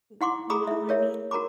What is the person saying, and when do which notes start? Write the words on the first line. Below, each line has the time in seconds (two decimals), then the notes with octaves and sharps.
Mm-mm, you know what I mean?
0.21 E4 F#5 C6 D6
0.50 G#4 A#5 B5 D6 D#6
0.67 E4 E5
0.89 A#4 C#5 E5
1.31 F#4 A#4 A#5 B5 D6